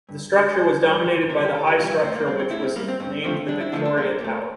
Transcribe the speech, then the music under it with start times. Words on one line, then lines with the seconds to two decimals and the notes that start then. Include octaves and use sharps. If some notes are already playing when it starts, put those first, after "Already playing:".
The structure was dominated by the high structure which was named the "Victoria Tower".
0.09 G2
0.33 D3 G3
0.57 G2 C5
0.82 D3 G3 D5
1.05 D2 C5
1.30 C3 E3 G3 A#4
1.45 G4
1.54 D2 A4
1.67 G4
1.78 C3 E3 G3 F4
1.91 E4
2.03 A2 C4
2.15 A#3
2.27 G3 C4
2.40 C4
2.51 A2 E4
2.63 C4
2.76 G3 A#3
2.88 C4
3.00 G2 C4
3.24 D3 F3 A3 C4
3.48 G2 D4
3.61 E4
3.72 D3 F3 A3 D4
3.85 D4
3.97 C2 A#3
4.21 A#2 A3